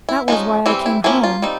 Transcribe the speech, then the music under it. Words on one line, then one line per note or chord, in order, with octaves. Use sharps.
That was why I came home.
E4
F3 G#3 C#4 D#4
E3 G3 C4 E4
E4
F3 A#3 C#4 E4
F4
G3 C4 D#4